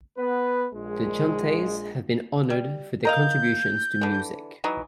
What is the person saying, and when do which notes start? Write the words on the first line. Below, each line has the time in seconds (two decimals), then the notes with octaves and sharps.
The Chantays have been honored for their contributions to music.
0.18 B3 B4
0.73 A#1 G#3
2.50 G3
3.05 A#4 D#5 F5 G6
4.01 D3 E3
4.64 E3 F#3 D#4